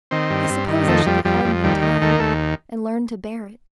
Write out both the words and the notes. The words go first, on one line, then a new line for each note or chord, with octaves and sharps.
I suppose I shall be hardened in time, and learn to bear it.
D#3 C4
G2
G2
D#3
F2 A3
F2 G3
F2 G3
F2
D#2 G3
D#3
D#2 A3
A#3
D#2 A3